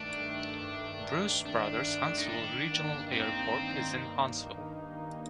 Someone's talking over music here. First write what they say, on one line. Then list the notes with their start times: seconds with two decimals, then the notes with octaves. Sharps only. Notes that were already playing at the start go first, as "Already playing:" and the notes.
Bruce Brothers Huntsville Regional Airport is in Huntsville.
Already playing: G2 D#3 A3 D4
0.19 G2
0.61 G2
1.02 D#3
1.45 A3 D4
1.87 G2
2.18 D#4
2.29 D#3 D4
2.70 A#3
3.12 C4 D#4
3.55 D#3